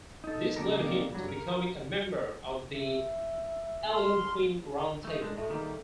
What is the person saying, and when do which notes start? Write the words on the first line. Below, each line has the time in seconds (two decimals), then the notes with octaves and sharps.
This led him to becoming a member of the Algonquin Round Table.
0.24 D#4 A4
0.56 C#3 A#3 D4 G4 A4 A#4
0.76 A#3 C4 D#4 G#4 D5 F5
1.13 G2 F#3 G3
1.28 A#4
2.75 E5
3.91 C6 F6
5.05 A3 D#4
5.22 G#3 D4
5.37 A2 A4 E5
5.50 D#3 G3 A#3 G#4 A#5